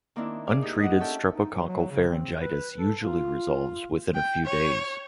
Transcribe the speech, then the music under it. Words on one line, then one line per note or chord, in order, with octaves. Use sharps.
Untreated streptococcal pharyngitis usually resolves within a few days.
D#3 A#3 C4 D4 E4
G#4 D5 F5
D#4 G4
D#5 F#5
C#4 E4 A4 E5 G5
D#4
F#3
F#3
C#3
C4
B4
A4
F4
G5
C#5